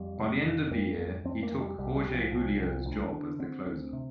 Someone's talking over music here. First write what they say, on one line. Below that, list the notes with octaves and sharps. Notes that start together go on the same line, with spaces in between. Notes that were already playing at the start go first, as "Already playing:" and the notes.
By the end of the year, he took Jorge Julio's job as the closer.
Already playing: F2 G3
C3
F2
F2 A#3
F2
F2 C4
A#3
F2
G3
C2 G3
G3
C2
F3
C2
C2
D2
D3
D3 C4
D2
C3